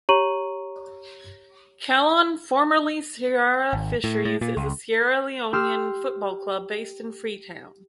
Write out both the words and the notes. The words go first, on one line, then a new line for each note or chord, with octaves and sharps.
Kallon, formerly Sierra Fisheries, is a Sierra Leonean football club based in Freetown.
G4 C#5 A#5 C#6 D#7 F#7
G#1
A2
A2
A#2
C#2
G4 C6 E6 F6